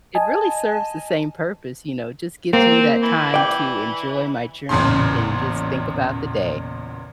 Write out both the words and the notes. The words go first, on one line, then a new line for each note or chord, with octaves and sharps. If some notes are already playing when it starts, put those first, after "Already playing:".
it really serves the same purpose, you know, just gives me that time to enjoy my drink and just think about the day.
D#5 G#5 A5
A#3 C4
E3
D5 G5
A1 E2 A#2 C#3 C6